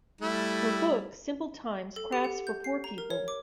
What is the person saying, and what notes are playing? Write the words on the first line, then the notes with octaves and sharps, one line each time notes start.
Her book, Simple Times: Crafts for Poor People!
G3 A3 E4
A4
G4
F#5
G6
C7
A#5
A#4
C#5
D6